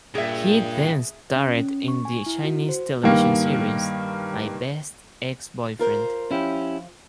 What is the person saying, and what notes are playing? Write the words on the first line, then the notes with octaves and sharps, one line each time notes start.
He then starred in the Chinese television series "My Best Ex-Boyfriend".
G2 A#2 G#4 E5
C#4
C#4
C#6
G#5
E4
F#4
C5
G2 D#3 A#3
F4 A#4 C5
F3 C#4 E4 G4